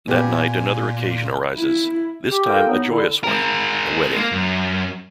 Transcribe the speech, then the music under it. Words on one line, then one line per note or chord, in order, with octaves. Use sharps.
That night another occasion arises, this time a joyous one-a wedding.
A#2 B3 G4 G#5
E4
G4
F4 G4 A4 A#4 G5
F#3 B3 D#4
D3 E4
G#3 A#4
A#3
F#2